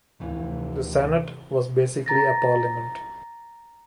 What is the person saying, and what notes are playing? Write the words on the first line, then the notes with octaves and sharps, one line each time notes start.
The Senate was basically a Parliament.
F1 D2 A2 C3 E3 F4
A#5 A6 A#6